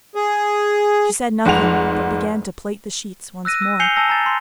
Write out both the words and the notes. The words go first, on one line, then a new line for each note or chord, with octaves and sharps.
She said nothing, but began to plait the sheets once more.
G#4
F1 G#2 F#5 F7
E6 F#6 A#6 D#7
E6
G#5 G6 C7 C#7 F7 G7
G#5 A5 E6 A#6
A#5 A6
C6